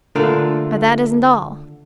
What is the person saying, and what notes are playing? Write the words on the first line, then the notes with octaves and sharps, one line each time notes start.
But that isn't all.
D3 A3 A#3 D4 F4 A#4